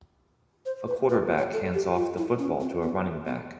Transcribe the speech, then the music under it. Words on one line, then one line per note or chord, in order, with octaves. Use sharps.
A quarterback hands off the football to a running back.
C5
B4
B4
C#5
A4
G4
F4
E4
C#4
C4
B3
B3